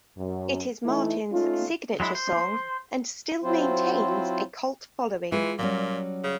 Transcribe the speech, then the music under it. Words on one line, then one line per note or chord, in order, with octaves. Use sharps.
It is Martin's signature song and still maintains a cult following.
F#2
E3 A3 D#4 E4
A3 C#4 D#4 F4
F#3 G#3 E4
C5
F#3 C4 E4 F4 C5
E3 G#3 F4
A#2 F#3 G3 C#4
C#3